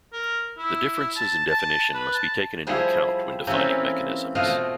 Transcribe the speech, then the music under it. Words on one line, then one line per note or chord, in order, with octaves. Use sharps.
These differences in definition must be taken into account when defining mechanisms.
A#4
E4
A5
A5
B4
A5
F3 G3 E4 G#4 C5
E3 A#3 C4 C#4 G4 A4
B2 A3 F4 C5 D#5 F5